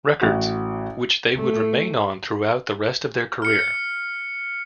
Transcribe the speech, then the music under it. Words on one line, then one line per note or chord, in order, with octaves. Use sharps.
Records, which they would remain on throughout the rest of their career.
A1 F#4
A3
F6 C#7